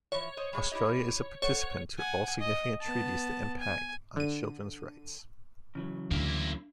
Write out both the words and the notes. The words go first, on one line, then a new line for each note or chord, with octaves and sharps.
Australia is a participant to all significant treaties that impact on children's rights.
E3 F3 C#5
C5 D#5
G3 G#3
E4 G4 D#5
A4 C5 C#5 F#5
F#5 G#5
D#5
B3 A5
G#5
D3 D#7
C#3 E3 F#3
D2 A#3 D4 E4